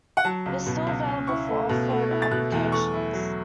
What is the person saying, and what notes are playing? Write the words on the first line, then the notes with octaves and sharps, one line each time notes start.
It is still available for off-road applications.
F#5
F#3 A5
C#2
B2
C#2
C#4
E4 C#6
A3
B2
A3
E4
A6
B2 F#6
E2
A3 C#6
E4
F#3